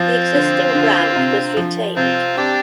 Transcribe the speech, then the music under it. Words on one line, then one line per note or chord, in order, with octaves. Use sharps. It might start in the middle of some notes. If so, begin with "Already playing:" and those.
The existing brand was retained.
Already playing: F3 C4 F4
D3
D3
C3
F3
C3 C4 F4
C4 D4 G4